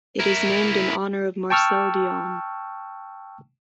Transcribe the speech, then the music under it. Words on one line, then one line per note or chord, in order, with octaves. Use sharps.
It is named in honour of Marcel Dionne.
E4 A#4
G5 A5 C#6 E6 F6